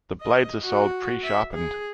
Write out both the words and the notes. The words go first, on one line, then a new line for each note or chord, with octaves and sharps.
The blades are sold pre-sharpened.
D#5
F#4
E5
G#4